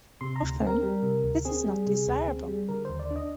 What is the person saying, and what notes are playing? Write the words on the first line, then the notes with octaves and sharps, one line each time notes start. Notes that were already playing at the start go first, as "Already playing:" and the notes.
Often, this is not desirable.
C3 C6
A#5
D2
C4 A#4
G3
C3
D2
C4 G#4
G3
C3
D2
C4
G3
D3 A#4
D#2 C5
D5
D4
D#5